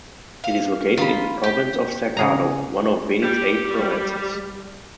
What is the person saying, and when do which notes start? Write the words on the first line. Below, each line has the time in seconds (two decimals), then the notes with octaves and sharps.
It is located in the province of Cercado, one of Beni's eight provinces.
0.44 F5
0.97 D#3 F4 B5
1.43 G4
2.17 C#3 G#4 A#5
3.24 G3 G4